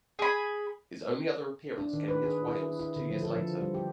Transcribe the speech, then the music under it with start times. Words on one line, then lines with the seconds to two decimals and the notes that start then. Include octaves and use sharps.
His only other appearance came against Wales two years later.
0.19 G#4 B5
1.78 D4
1.93 D#3
2.08 B4
2.24 G#4
2.47 E4
2.79 E4
2.96 D3
3.11 F3
3.22 A4
3.36 F3
3.61 G3
3.74 G4